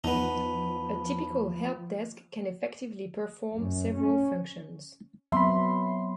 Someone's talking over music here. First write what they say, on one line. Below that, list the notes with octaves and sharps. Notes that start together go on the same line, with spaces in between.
A typical help desk can effectively perform several functions.
E2 F3 B3 D#4 A5 B5
F#2
C#4
F#3 B3 C4 E5 B5 C6